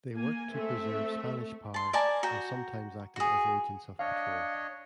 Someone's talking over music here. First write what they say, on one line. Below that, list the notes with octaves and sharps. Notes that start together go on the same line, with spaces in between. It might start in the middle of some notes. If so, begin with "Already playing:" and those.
They worked to preserve Spanish power and sometimes acted as agents of patrol.
A#3 G#5
A3 C4 E5
A5 C6
A#4 D5 G#5 A5
F#4 G5 A#5
F#4 G#4
D4 C#5 D#5 F5